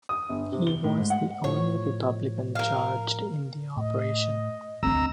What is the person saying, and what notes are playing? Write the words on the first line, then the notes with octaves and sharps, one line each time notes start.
He was the only Republican charged in the operation.
D#6
G1
C3
G7
A2
G#2
F#5
A2 F3 C#5
A#4 F5
A2 D#5
D2 C4 D4 A#5 E6